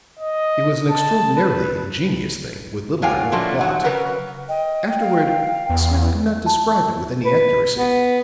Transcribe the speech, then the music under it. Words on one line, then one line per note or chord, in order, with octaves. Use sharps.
It was an extraordinarily ingenious thing, with little or no plot; afterward Smith could not describe it with any accuracy.
D#5
A5
B4
A2 F#3 A#3 F5 G5 G#5
F3 F#3 A3 A#3 D4 F4
D#3 F#3 F#5
C#3 F#3 A#4 B4 F#5
D#5 G5
F5
E2
A5
B4
B3